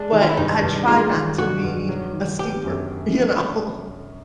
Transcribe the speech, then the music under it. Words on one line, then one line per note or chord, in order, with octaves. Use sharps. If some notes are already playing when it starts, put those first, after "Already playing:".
but I try not to be a steeper, you know,
Already playing: G#3 D4
D#3
F4
E4
G2 D#4
G2
G#3 F4
D#3
G2 F#4
G2
F#3
D#3
B3 G4
F#2